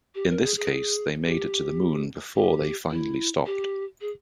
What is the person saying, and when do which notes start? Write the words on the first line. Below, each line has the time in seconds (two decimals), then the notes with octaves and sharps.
In this case, they made it to the Moon before they finally stopped.
0.15 G4
0.29 A#4
0.43 G#4
0.57 G#4
1.25 G4
2.36 G4
2.90 E4
3.46 G4
4.01 G#4